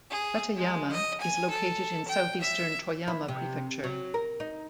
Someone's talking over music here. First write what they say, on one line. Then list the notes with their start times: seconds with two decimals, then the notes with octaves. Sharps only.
Tateyama is located in southeastern Toyama Prefecture.
0.10 G#4
0.56 G#3
0.91 D#5
1.21 G#5
1.50 A4
2.07 G5
2.40 E5
3.08 E4
3.28 C3
3.84 F#3
4.14 A#4
4.40 D#4